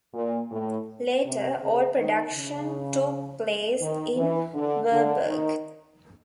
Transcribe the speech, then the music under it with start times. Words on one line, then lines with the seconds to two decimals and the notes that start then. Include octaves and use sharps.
Later all production took place in Varberg.
0.13 A#2
0.50 A2
1.23 C3
1.61 C#3
1.97 D#3
2.34 C#3
3.80 D#3
4.17 E3
4.53 D3
4.91 D3
5.27 D#3